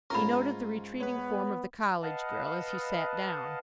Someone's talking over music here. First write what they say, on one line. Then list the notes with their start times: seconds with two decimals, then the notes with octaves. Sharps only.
He noted the retreating form of the college girl as he sat down.
0.10 G#2 C#4 F4 A#4 B5 C#6
1.00 B3 B4 C#5
2.03 B4 D#5 F5 F#5 A5